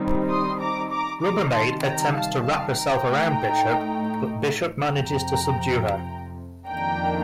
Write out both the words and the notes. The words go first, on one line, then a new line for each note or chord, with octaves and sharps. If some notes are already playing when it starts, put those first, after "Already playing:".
Rubbermaid attempts to wrap herself around Bishop, but Bishop manages to subdue her.
Already playing: D#3 G3 C4 D#4
C6 D#6
A#5 D6
A#5 D6
C3 D#3 G3 A#5 D6
A5 C6
G5 A#5
F5 A5
F5 A5
G5 A#5
A2 A3 D#4
F2 C3 F3 G5 A#5
F2 D#3 A#3 D4 G5 A#5